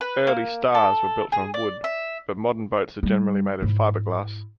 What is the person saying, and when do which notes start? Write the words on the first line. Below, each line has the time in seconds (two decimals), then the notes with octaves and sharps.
Early Stars were built from wood, but modern boats are generally made of fiberglass.
0.01 B4
0.27 A#3
0.75 A4
1.32 G#4
1.54 D5
1.84 E5
3.03 G3
3.62 G#2 E4